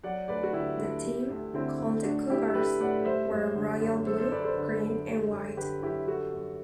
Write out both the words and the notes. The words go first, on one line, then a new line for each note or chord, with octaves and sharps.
The team, called the Cougars, wear royal blue, green and white.
F#3 D5 F#5
D2 B4 D5
F#4
D3 E4 G4
D2
G3
D2
D3 C4 E4
D2
A2 D4 F#4
G3 E4 G4
A4
G3 G4 B4
A2 D5 F#5
G3 C5 E5
F#2
D3
F#2
F#3 A4 C5
A4 C5
F#2 B4 D5
A4 C5
D3
F#2
G3
F#2
D3 G4 B4
F#2 E4 G4
G3 F#4 A4
F#2